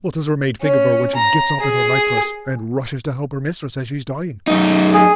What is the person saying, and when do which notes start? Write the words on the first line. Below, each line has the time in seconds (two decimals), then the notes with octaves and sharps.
What does her maid think of her when she gets up in her nightdress and rushes to help her mistress as she's dying?
0.62 C#4
1.16 A#5
1.61 G#4
4.47 F#2 D#4
4.94 G#4